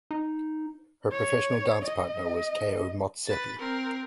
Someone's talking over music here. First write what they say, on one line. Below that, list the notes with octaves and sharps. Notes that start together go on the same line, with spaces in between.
Her professional dance partner was Keo Motsepe.
D#4
C#5
D#5
B4 A6
C4 A#4